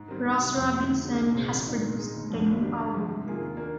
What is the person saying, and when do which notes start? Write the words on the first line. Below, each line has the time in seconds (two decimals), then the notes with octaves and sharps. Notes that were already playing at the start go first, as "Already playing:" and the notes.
Ross Robinson has produced the new album.
Already playing: G#2
0.08 D#3 G3 C4
0.25 C2
0.40 C3 G3
0.56 F2
0.72 C3 D#3
0.88 D2
1.04 D3 G#3 C4 D#4
1.20 C2
1.34 A#2 G#3 C4
1.51 G#1
1.67 G#2 D#3 G3 D4
1.82 A#2
1.98 G#3 D#4
2.14 G1
2.30 F2 D3 F3
2.46 G#1
2.61 G#2 G3 D4 G4
2.78 G2
2.93 D3 F3 G#3
3.08 C3
3.25 D#3 A#3 F4 G#4
3.40 D#2
3.57 D#3 A#3 D4